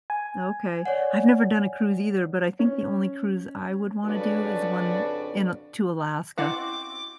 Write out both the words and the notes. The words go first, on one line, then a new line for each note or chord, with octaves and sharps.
Okay. I've never done a cruise either, but I think the only cruise I would wanna do is one in a to Alaska.
G#5
C#5 D5 F#5
C#4
F2 C#3 D4 F#4 B4 D5
C4 C#4 E4 F#4 D#5 F5 F#5 D6